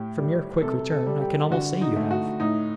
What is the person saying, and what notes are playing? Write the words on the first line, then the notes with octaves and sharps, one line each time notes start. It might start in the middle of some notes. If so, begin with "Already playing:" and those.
From your quick return, I can almost say you have.
Already playing: A2 G4
G3
C3 A4
A4
G3
G4
D3 F#4
D#4
A3
F#4
A2 D#4